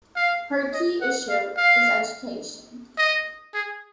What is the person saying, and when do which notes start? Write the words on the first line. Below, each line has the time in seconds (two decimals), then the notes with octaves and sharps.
Her key issue is education.
0.16 F5
0.73 D#5
1.01 F#5
1.29 F5
1.57 F5
2.98 D#5
3.54 G#4